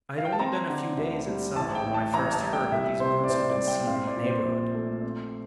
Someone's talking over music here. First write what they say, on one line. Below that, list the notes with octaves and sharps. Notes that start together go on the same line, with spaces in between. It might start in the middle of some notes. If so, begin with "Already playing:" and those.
I had only been a few days at Tsavo when I first heard that these brutes had been seen in the neighbourhood.
F5
G5
A5
C4 A#5
D3
D2
G3
A1 A5
G5
A2
A5
A1 A#5
A5
G3
G5
C2 E5
C3 C5
D5
C2 C5
D5
G3
G5
C4 F5
D5
A#2
C5
A#1
A3
C4